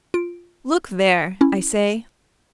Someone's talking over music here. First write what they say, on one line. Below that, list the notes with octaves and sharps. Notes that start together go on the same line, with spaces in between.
"Look there!" I say.
F4 D7
C#4 E4